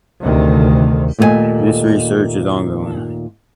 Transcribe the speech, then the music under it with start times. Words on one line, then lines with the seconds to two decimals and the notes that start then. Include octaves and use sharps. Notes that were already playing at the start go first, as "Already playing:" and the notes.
This research is ongoing.
0.21 D2 C3 D#3
1.19 D#2 A#2 A3 F4 D#5 G#5